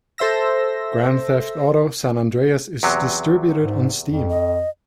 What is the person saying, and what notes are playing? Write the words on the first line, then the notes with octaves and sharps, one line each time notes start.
"Grand Theft Auto: San Andreas" is distributed on Steam.
A4 C5 E5 E6 A#6
E2 C3 F#3
G#2
F2
D#5